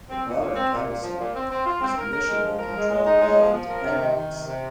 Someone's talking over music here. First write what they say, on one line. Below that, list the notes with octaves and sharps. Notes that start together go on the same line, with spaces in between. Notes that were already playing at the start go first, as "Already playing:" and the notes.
The borough council was initially controlled by independents.
C4
A#2
A#2
C4
A#2
A#2
F3
A#2
C4
C4
F4
C4
A#4
A#4
G#3
F3
A#4
G#3
G#3
D#4
G#3
F3
F3
A#4
C3
D#3
D#3
C3
C3